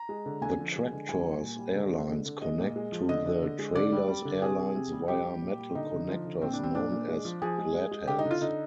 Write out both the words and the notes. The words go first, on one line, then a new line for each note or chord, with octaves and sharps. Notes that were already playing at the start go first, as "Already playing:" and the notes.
The tractor's air-lines connect to the trailer's air-lines via metal connectors known as gladhands.
Already playing: A#5
G#3
D3
D3 G#5
F3
G#3
D3
G3 G#5
G3
A#2
G3
D3
G#3
D3
D3
G#3 D#5
A#2
G#3
F3
D3 D#5
D3
D3
G#3
D3 D5
G3
G3
D3
C3 G#4
C3
C3
G3
G3 G4
G3
A#2
G3
D3 D#4
D3
F3
D3
A#2 C4
G3 D4
C4
A#2 D4
A#2
G#3
F3
F3 G#4
G#3
G#3
G#3
D3 G4
D#4
D3
F4
D3 D#4